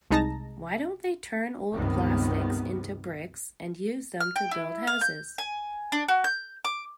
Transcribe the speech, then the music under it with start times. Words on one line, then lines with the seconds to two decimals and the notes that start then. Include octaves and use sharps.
Why don't they turn old plastics into bricks and use them to build houses?
0.11 C2 G#3 D#4 A5 A#5 A#6
1.72 C#2 G2 C3 D#3 B3
4.20 F6
4.36 G5
4.51 E4
4.87 F5
5.01 G6
5.38 G#5
5.92 D4
6.08 F#4
6.24 G6
6.65 D6